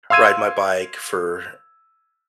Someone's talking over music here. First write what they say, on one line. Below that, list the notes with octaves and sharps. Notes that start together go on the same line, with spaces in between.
ride my bike for
F5 C6 E6 G#6 D#7